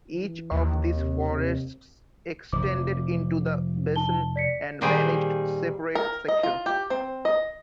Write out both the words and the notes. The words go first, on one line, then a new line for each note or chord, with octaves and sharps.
Each of these forests extended into the basin and managed separate sections.
E3
D#2
C3
C3
F1 F3 D6
D#4 A5 G7
D5 B6 C#7
A#2 D#3 G3 G#4 C5 G5
A#4
D#5
F4
G4
C4
D#5